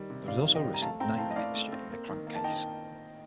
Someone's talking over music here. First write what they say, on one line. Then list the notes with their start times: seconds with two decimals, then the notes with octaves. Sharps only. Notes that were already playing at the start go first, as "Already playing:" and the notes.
There is also a risk of igniting the mixture in the crankcase.
Already playing: D#3 G3
0.10 C3
0.28 C3 D5 F5
0.46 D#3
0.55 D#5 G5
0.64 G3
0.74 A#5
0.82 A3 F5 A5
1.00 C4 G5 A#5
1.18 A2 F5 A5
1.30 D#5
1.36 A2 D5 F5
1.54 A3
1.72 C4
1.90 A#3
2.08 D#3
2.27 A#3
2.35 A5
2.44 D#3 D#5 G5